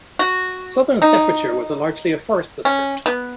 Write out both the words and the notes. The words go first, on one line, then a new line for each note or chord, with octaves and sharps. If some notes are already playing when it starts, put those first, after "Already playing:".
Southern Staffordshire was largely a forest-district.
F#4
D#4
C#4
B3